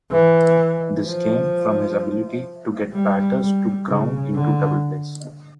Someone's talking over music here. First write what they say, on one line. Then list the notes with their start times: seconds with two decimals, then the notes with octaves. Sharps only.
This came from his ability to get batters to ground into double plays.
0.12 E3
1.06 F3
2.93 G3
3.40 G3
3.87 C#3
4.33 D3